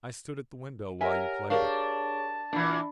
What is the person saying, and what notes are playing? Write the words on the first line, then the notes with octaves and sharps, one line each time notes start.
I stood at the window while you played it.
G4 A#4 C#5 E5 F#5 G#5
D4 G4 G#4 A#4 C#5 F5 A5 C#6
A#2 E3 D4 D5 B5